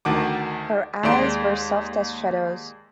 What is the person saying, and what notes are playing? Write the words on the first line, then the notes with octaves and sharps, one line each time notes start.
Her eyes were soft as shadows.
D2 D#3 F#5 A5 D6
D#2 G#3 D5 C6 D7